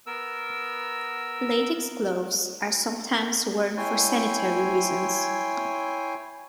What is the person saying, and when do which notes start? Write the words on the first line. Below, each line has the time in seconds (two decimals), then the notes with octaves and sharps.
Latex gloves are sometimes worn for sanitary reasons.
0.06 B3 A#4 E6
3.77 E4 C#5 G5 G#5 C6